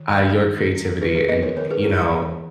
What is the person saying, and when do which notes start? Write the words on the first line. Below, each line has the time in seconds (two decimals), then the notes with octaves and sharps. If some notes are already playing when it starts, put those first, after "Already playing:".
uh, your creativity and, you know,
Already playing: D#3
0.20 C#4
0.46 D#3
0.75 C#4
1.01 D#3 G#4 B4
1.15 G#4 B4
1.28 B3 B4 D#5
1.42 A#4 C#5
1.56 D#3 A#4 C#5
1.71 G#4 B4
1.84 C#4 E4
1.98 E4 G#4
2.12 E3